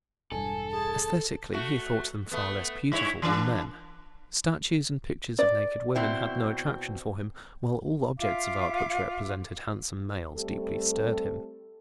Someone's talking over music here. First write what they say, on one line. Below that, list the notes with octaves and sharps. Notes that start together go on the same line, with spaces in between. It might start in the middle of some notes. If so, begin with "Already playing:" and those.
Esthetically, he thought them far less beautiful than men. Statues and pictures of naked women had no attraction for him, while all objects of art which represented handsome males deeply stirred him.
E1 G2 A4 G#5
G#4 A5
A3 F#4
A3 B3
G2 E4 C#5
E3 A#3 D4
D5
B2 C4 E4
F4 E5 F5 D6
G3 A3 C4 G4 A4